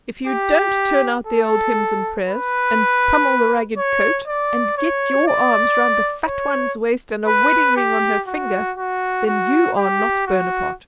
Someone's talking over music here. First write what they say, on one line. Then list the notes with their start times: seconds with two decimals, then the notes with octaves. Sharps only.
If you don't turn out the old Hymns-and-prayers, and pummel the Ragged coat, and get your arms round the fat one's waist and a wedding-ring on her finger, then you are not Bonaparte.
0.27 G4
1.27 A4
2.27 B4
3.77 C#5
4.28 D5
4.77 C#5
5.27 D5
6.27 C#5
7.27 B4
7.76 G4
8.27 F#4
8.77 F#4
9.26 F#4
9.77 G4
10.27 F#4